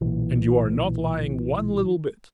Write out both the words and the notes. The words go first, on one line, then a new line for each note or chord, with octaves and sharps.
And you are not lying one little bit.
B1 A#2 E3